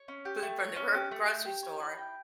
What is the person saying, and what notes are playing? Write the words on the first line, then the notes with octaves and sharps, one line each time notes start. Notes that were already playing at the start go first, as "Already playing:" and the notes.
food from the gr grocery store
Already playing: C#5
C#4
G4
A3
C#5
C#4
G4
A3
G5
G4
C#5
E4
G5